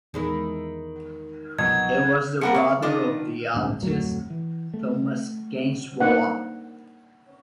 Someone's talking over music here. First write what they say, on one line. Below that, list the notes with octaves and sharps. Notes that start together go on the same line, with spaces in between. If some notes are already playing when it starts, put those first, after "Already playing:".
He was the brother of the artist Thomas Gainsborough.
E2 D#3 G#3 E4
C2 B2 F3 F#3 G#6
F3 G3 A#3 A#4 F#5 C#7
B2 F5 C#6
D#3 D4 F4 D#5
D1 A#1 G#2 D4
D1 F2 F#3 A3
E3
A3
A#3 D4 D#4 C5 F#5